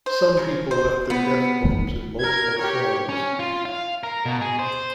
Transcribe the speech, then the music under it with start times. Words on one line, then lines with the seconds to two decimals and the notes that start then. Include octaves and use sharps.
Some people left their death poems in multiple forms.
0.06 C5
0.37 C#3 A#4
0.71 C5
1.10 B3
2.19 A#4 G#6
2.59 G4 C#5
3.09 C#4
3.39 F4
3.65 F5
4.03 A#4
4.26 B2
4.41 G#4
4.59 C5